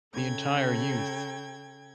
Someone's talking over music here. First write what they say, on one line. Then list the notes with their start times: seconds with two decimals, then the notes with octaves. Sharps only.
the entire youth
0.13 C#3 A4 G5 G#6